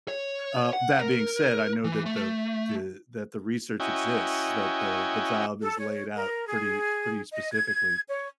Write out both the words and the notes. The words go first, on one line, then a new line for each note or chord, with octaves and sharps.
Uh, that being said, I know that the the that the research exists, that the the job is laid out pretty pretty specifically.
C#5
F#5
A#4
E3
A3
C#4 E4 F#4 D#5 G5 G#5
A4
C#5
A#4
G#4
D#5
G#6
C#5